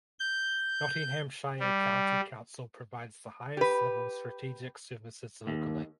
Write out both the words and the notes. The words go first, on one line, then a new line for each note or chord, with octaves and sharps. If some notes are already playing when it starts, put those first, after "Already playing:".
Nottinghamshire County Council provides the highest level strategic services locally.
G6
G3
G4 B4
D#2